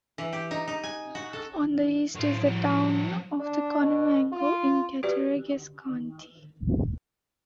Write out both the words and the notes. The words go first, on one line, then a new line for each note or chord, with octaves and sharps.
On the east is the town of Conewango in Cattaraugus County.
E3
G4
D#4
D#4
G#5
F#4
A4
A2 F#3 C5
F3 F#4
D4
B2
F4
F#4 G4 B4 D5